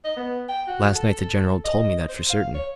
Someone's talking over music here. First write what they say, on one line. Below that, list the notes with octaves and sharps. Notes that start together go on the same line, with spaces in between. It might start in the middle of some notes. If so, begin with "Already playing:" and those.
Last night the General told me that for certain.
D#5
B3
G5
F#4
A4
D#5
C5
F5
C#5